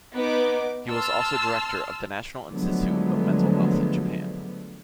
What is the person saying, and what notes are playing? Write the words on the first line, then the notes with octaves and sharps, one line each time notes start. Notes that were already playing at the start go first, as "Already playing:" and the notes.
He was also Director of the National Institute of Mental Health in Japan.
B3 D#4 D6
A5 C6 E6 F6
D3 F3 F#3 G#3 A3 B3